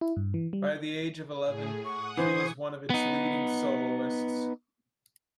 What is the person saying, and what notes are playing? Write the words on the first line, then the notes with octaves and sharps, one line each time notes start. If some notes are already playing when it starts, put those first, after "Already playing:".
By the age of eleven, she was one of its leading soloists.
E4
G2
E3
G3
G6
A2 G#4
F#5 C#6 D#6
E3 C5 C#6 D#6 G#6
B3 D#4